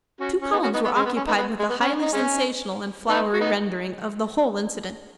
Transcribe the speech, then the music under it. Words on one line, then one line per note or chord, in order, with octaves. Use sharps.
Two columns were occupied with a highly sensational and flowery rendering of the whole incident.
C#4 F#4
C#4
B3 D#4
C#4 F#4
B3 D#4
B3
G#3
B3
C#4
B3 D#4
B3
G#3
B3
C#4
D#4
G#3 C#4
B3 D#4
F#4
B3 D#4